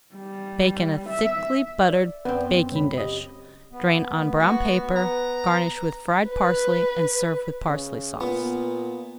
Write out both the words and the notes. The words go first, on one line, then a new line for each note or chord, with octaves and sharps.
Bake in a thickly buttered baking-dish, drain on brown paper, garnish with fried parsley, and serve with Parsley Sauce.
G3
E5
D5
F#2 B3 C4
C#2 C#5 B5
G4 D#5
B3
A3
F#4
B4 A#5
B4
C#3
A#2 B3